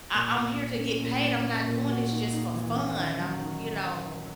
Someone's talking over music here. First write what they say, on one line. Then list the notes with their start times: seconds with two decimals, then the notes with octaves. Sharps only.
I I'm here to get paid. I'm not doing this just for fun. I you know?
0.14 A#2
0.36 A#2
0.58 A#3
0.80 C#4
1.01 A#2
1.23 C#4
1.45 C#4
1.67 A#2
1.89 F#4
2.11 D#4
2.32 D#4
2.54 E3
2.76 C#4
2.98 D#3
3.20 F#3
3.42 D#3